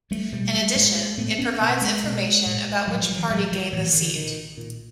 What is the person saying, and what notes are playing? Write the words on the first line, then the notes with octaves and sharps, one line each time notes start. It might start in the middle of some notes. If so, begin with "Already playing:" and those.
In addition, it provides information about which party gained the seat.
G3 A3
B2 G3 A3
G3 A3
A2 G#3 A#3
A2 A3 B3
B3 C#4
B2 A#3 C4
G#3 A#3
B2
A2
A2 F#3 G#3
F3 G3
E3 F#3
A2 F#3 G#3
F3 G3
A2 E3 F#3
D3 E3
A#2 D#3
A#2